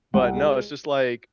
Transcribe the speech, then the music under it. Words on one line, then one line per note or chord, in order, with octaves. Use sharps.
But, no, it's just, like,
C2 F#5
G#3